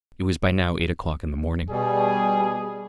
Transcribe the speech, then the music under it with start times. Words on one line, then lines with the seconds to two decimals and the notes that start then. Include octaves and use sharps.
It was by now eight o'clock in the morning.
1.70 B2 G3 G#4